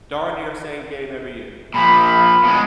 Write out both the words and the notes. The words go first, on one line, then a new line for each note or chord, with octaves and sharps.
darn near the same game every year.
A#2 F3 B5
B2 G#3